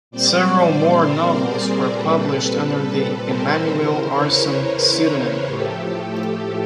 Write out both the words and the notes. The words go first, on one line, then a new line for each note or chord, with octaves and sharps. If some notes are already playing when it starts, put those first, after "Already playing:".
Several more novels were published under the Emmanuelle Arsan pseudonym.
A#2 G3 C4 C5 D5
A#4 C5
G#4 A#4
A#2 G3 C4 A4 B4
A4 B4
A#4 C5
E2 C#3 E3
B4 C#5
A#4 C5
A2 F3 A3 G4 A4